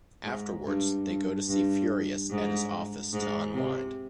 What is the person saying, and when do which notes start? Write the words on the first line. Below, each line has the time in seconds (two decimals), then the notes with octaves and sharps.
Afterwards, they go to see Furious at his office to unwind.
0.24 G#2
0.66 G2
1.07 G2
1.48 G2
2.30 G#2
3.13 G#2
3.54 C3